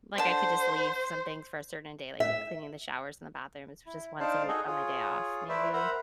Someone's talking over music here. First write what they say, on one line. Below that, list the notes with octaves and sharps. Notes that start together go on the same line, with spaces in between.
like, I could just leave some things for a certain day, like cleaning the showers and the bathrooms, which is once a week on my day off maybe,
D3 C5 A5
E5
E4
D4 D#4 C5 D5 F5 A5
D#4 F#4 G#4 A4 D#5
F4 G#4 C#5
A3 E4 B4 C5 D5 E5
A#4 C5 E5 F#5 A#5 B5